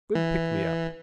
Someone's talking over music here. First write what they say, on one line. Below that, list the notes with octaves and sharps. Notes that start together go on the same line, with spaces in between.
Good pick me up.
E3